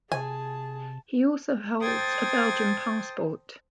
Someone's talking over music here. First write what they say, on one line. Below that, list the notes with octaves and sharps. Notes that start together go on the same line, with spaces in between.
He also holds a Belgian passport.
C3 G#4 G#5 A5
A4 C5 G5 D#6 G#6 A6